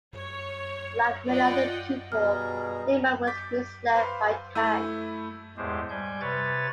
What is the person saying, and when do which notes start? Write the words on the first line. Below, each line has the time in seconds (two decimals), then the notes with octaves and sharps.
Like many other people, Lehman was misled by Tann.
0.16 C#5
1.27 F4 D5 D#5 F#5 G5
2.12 B2 G3 G#4 A#5 F6
3.27 D6 G6 A6 B6
3.94 B4 C5 F5
4.55 A3 E4 E6 G6 D#7
5.57 E2 A2 G#3 G4 C5
5.90 G3 G#5 G6
6.21 C3 B4 C#5 A6